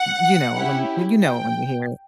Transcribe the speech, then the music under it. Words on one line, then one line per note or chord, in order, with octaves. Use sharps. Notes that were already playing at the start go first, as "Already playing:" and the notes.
You know, when you well, you know it when you hear it.
Already playing: F#5
C#4 E4 G4
G5